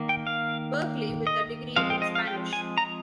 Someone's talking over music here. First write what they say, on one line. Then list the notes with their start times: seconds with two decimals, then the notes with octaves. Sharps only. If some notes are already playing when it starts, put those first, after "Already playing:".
Berkeley with a degree in Spanish.
Already playing: D#3 A#3
0.09 G5
0.27 F5
1.27 D#5
1.76 F3 G#3 C4 F5
1.90 G5
2.02 D#5
2.15 F5
2.27 G5
2.53 G#5
2.78 A#5